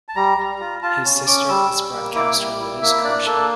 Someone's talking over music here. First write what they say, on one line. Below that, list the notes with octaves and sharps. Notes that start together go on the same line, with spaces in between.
His sister is broadcaster Liz Kershaw.
A5
G3 A#5
G3
F4
F4 A5
C#4
C#4 D6
G3 E6
G3
A#3
E4 D6
G3
E4
A#3 E5
D4 D5
A#3 A4